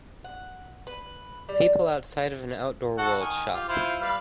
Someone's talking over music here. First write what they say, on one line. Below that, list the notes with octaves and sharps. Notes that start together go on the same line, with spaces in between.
People outside of an Outdoor World shop.
F#5
B4
G3
F#4 A4 F#5
D#3 G#5
F4 G4
E4 F4 C5
G3 B4 F5